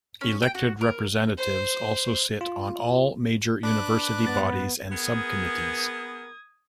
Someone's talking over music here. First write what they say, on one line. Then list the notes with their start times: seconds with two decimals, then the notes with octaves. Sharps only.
Elected representatives also sit on all major University bodies and subcommittees.
0.21 C#4
0.42 G5
0.55 F#4
0.81 A#4
1.37 C5
2.41 F4
3.63 D4 B4 D6 F#6
4.25 G#2 B3 A6
4.92 B3 G#4 A#4 D#6 G#6